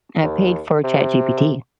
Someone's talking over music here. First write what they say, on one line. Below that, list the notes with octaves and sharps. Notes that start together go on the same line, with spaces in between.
I paid for ChatGPT
D#2
C3